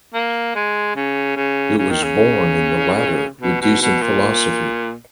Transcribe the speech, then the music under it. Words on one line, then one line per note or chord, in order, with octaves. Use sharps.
It was borne in the latter with decent philosophy.
A#3
G#3
C#3
C#3
C#3
D#3
C#3
B2
B2
B2
A#2